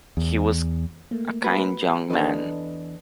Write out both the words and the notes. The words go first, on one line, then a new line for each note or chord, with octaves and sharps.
He was a kind young man.
E2
A3 A#3
F#4 B4
E2 D4 A4 B4 D#5